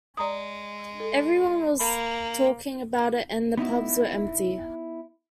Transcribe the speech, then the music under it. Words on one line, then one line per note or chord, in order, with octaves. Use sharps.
Everyone was talking about it and the pubs were empty.
G#3 D5 A#5 D#6
A4
A#3 B5
B3 D#4 E4 F#4